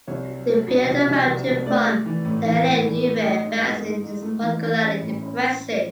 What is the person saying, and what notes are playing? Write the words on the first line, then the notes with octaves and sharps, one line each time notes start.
The view of the mountain from the L'A-Neuve basin is particularly impressive.
C2 C#5
F#3
F#3
B2
C2
C2
C2
C2
A3 D5
A3
E3
A2
E3
A2
E3
A3
A3 D#5
G#2
G#2
G#2
G#2
A3
E3
E3
C#4
A2
C#4